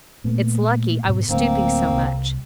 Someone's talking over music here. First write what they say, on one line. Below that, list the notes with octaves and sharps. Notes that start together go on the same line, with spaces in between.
It's lucky I was stooping so much.
A#2 A3 B3
G#2 B2
D1 D3 A3 A#3 C4
C2